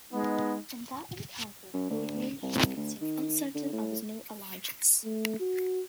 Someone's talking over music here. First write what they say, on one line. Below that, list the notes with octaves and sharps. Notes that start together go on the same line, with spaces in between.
In that encounter, Holborne showed himself uncertain of his new allegiance.
G#3 B3 D#4
F#2
D2
C2
D2
D#3
D3
A2
A3
F#4